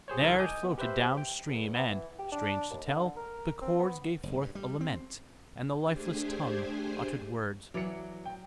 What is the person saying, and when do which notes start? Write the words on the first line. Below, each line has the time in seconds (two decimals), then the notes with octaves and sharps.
There it floated down stream and, strange to tell, the chords gave forth a lament, and the lifeless tongue uttered words.
0.08 G4 G#4 C5 C#5
0.21 C2 D#3 E4 A4 A#4 G#6
0.39 D#5 G#5 D6 D#6 G6
0.63 B3
0.78 G4 B4 C5 E5
1.17 G5
1.48 E2
1.74 B3
1.89 E3
2.19 G4
2.32 D4
2.70 D#2
2.87 D3
3.16 A#4
3.61 C4
3.79 B3
4.23 F#1
4.41 G2
4.55 G3
4.81 C4
5.82 A3 D4 G4 G#4 C5 G#5
7.74 E3 F#3 D5 C#7
8.25 G5